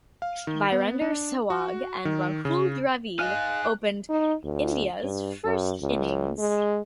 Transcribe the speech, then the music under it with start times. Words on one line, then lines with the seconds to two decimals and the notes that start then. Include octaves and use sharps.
Virender Sehwag and Rahul Dravid opened India's first innings.
0.22 F5
0.47 D#3
0.72 B3
1.01 D4
1.50 F#4
2.05 D#3
2.45 C#3
3.19 D#4 D#5 F5 G#5 F6 F#6
4.09 D#4
4.44 D2
5.03 G2
5.46 F#2
5.81 C#2
6.39 G#3